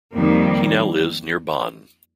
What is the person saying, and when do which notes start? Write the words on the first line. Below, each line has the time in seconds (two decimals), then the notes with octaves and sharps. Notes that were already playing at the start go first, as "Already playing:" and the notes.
He now lives near Bonn.
0.14 F2 D#3 G3 A#3